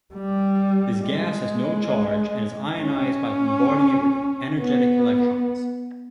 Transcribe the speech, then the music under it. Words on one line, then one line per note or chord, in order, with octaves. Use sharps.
This gas has no charge and is ionized by bombarding it with energetic electrons.
G3
G#3
C#4
B3